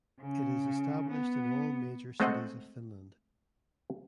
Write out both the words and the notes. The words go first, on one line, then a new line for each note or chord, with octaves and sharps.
It is established in all major cities of Finland.
C#3
B3
G#3 A3 C4 C5 D#5 F#5